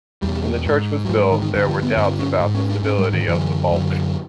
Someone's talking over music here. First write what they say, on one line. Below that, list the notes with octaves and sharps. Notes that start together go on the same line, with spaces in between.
When the church was built, there were doubts about the stability of the vaulting.
E2 B2 G3
G#2
F#3
G#2 F3
D#3
D#3
G2 D3
F3
B3
G2 D3 C4
C#4
G#2
C#4
D4
G#2 C#4
G3
D#3
F#2 D3 E3
F#2 D3